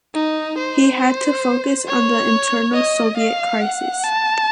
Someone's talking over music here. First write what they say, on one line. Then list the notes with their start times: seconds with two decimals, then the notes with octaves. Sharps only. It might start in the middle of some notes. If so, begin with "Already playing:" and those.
He had to focus on the internal Soviet crisis.
0.14 D#4
0.58 C5
1.88 C#5
2.74 D#5
3.17 F5
3.61 F#5
4.04 A5